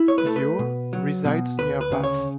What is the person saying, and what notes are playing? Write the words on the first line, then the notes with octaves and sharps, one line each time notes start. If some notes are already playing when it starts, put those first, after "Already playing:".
Ure resides near Bath.
Already playing: E4
C#5
B4
A3 A4
B4
B2
F#3
B2
D2 B4
B4
C#3
C#5